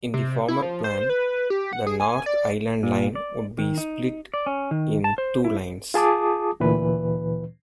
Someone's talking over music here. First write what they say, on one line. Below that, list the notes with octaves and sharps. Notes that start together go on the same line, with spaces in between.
In the former plan, the North Island Line would be split in two lines.
C3
E4
F3
C5
B4
G4
F#5
G#4
G#5
D5
A#2
D5
D#3
D#4
D5
C#4
D#3
A5
C5
E4
F4 G#4 A5 D6 D#6
D2 A#2 E3 B4